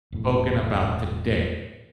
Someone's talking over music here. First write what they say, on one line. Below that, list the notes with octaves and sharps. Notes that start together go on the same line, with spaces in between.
spoken about today,
E1 A2